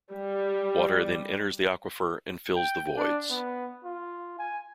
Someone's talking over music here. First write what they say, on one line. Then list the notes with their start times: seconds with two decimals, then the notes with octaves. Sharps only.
Water then enters the aquifer and fills the voids.
0.13 G3
2.56 G5
2.97 D4
3.30 B3
3.84 F4
4.39 G#5